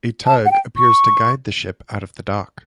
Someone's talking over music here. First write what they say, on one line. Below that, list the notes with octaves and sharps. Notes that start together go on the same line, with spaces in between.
A tug appears to guide the ship out of the dock.
A5
F#5
G5
C#6